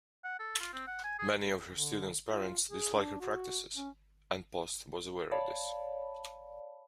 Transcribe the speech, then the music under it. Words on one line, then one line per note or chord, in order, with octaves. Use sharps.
Many of her students' parents disliked her practices, and Post was aware of this.
F#5
A4
F4
C4
F#5
G#5
G#4
D3
F4
G#4
D4
F#4
C#4
C#5 D5 F5 A5 B5